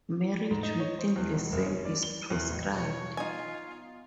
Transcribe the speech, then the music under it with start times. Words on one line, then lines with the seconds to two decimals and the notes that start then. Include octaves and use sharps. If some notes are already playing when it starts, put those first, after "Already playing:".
Marriage within the same is proscribed.
0.51 G#2
0.63 D#4
0.80 C#5
0.99 C5
1.16 E2
1.33 E1
1.52 F#1
1.65 C#4
1.85 D5
2.03 G7
2.30 E2
2.50 A1
2.74 B2 C#5
3.17 B3 D#4 F4 G#5